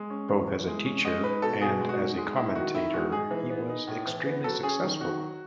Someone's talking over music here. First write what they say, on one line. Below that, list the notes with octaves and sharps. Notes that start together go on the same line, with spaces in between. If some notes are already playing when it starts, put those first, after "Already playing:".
Both as a teacher and as a commentator he was extremely successful.
Already playing: G#3
C#4
E3
E3
G#3
C#4
G#3 D#5
D#4 B4
B2 A4
B2 G#4
G#3
F#4
D#4
G#3
D#4 E4
D#3 F#4
D#3 E4
G#3 F#4
D#4 G#4
E3
B3
D#4
A2
E3
B3
F#3 A4
C#4 G#4
D#3
D#3 F#4
F#3